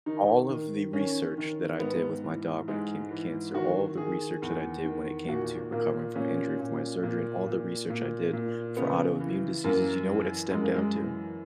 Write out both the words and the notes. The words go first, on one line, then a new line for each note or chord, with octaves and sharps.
All of the research that I did with my dog when it came to cancer, all the research that I did when it came to recovering from injury from my surgery, and all the research I did for autoimmune diseases, you know what it stemmed down to?
D#3 D#4
D#3
D#3 C#4
D#3
G#2 B3
E3
G#2 G#3
E3
D#3 F#4
D#3 G#4
E2
D#3
A#2 F#4
A#2 A#3
A#2 C#4
A#2
A#2
A#2
A#2
A#2
C#3 B3
E3
F#2 A#3
E3
F#2 G#3
A#3
G#3
E3